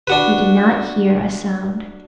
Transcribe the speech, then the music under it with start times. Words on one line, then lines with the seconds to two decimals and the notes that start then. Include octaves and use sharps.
They did not hear a sound.
0.07 D4 F#4 B4